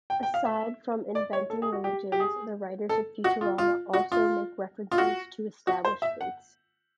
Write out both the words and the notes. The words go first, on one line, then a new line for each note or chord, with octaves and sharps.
Aside from inventing religions, the writers of "Futurama" also make references to established faiths.
G5
G5
F5
E5
D5
C#5
A4
G#4
F#4
G4
G4
G#4
A4
F#4
F4
F4
F#4
F4
F4
F#4
F#4
C5
E5
F#5